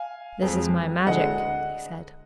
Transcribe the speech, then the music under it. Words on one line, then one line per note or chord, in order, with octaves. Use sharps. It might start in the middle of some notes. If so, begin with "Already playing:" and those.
"This is my magic," he said.
Already playing: F5 G#5
F2 F3 G#3
D2 D3 G#3 D#5 F#5